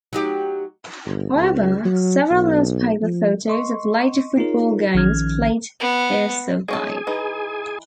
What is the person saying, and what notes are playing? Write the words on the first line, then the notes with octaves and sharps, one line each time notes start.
However, several newspaper photos of later football games played there survive.
F#3 D#4 G4
G1
C#2
F#3
B1
F3
D#5 C6 C#6
D#4 F4 G#4 A#4 C#5
A#1 D#3 F3 C#4 F6 G#6
B3
G#3 G#4 C#5 G#5 A5
E3 D#4